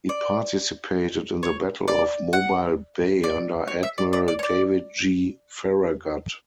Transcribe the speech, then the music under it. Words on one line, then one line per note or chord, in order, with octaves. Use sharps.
He participated in the Battle of Mobile Bay under Admiral David G. Farragut.
D5
C#5
D5
F#5
D5
C#5
E5
D5
D5
D5
C#5
D5